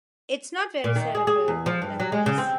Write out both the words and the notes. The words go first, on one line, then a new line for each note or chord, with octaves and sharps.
It's not very cerebral, that piece.
A#2
D#3
G#4
G#4
E2
F3
G2
F#3
G#3
C#3
C4